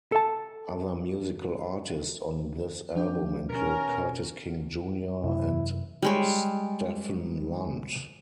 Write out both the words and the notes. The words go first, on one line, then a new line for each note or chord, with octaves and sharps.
Other musical artists on this album include Curtis King Junior and Stephen Lunt.
A4 A5
F3 D4 G4
B2 C#4 A#4
F#2 C3 F#3 E4
G3 G#3 C#5